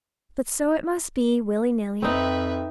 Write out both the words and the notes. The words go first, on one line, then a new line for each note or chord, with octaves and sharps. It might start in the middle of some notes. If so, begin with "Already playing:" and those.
But so it must be, willy-nilly.
F2 C4 D#4 B4 E5